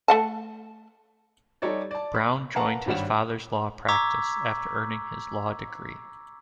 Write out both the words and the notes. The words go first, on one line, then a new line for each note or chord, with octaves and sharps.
Brown joined his father's law practice after earning his law degree.
A3 F#5 A5
G3 D#4 A4 C#5 D5
D5 A5
B5
A#4 B4 F5 F#5 A5 A#5
G#1 G2 G3 C#5 F#5 E7
A#5 C#6 D6 E6 G#6 B6